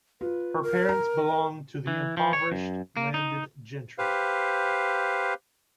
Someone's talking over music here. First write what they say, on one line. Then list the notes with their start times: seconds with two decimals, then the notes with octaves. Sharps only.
Her parents belonged to the impoverished landed gentry.
0.21 F4 B4
0.62 A#4
0.89 A#5
1.87 E3
2.17 F3
2.33 C#5
2.52 F#2
2.97 A#3
3.14 D#4
3.98 G4 B4 C5 F5